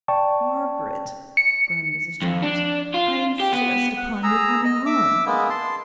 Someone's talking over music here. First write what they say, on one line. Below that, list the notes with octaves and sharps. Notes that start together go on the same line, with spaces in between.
"Margaret," groaned Mrs. Chalmers, "I insist upon your coming home."
D5 G5 A5 C#6
C#7
F2
D4
F4
G4
B3
F#5
G#4 A#5 E6
D#5
E5 D6 E6
G#3 A#3 B3
A5 C6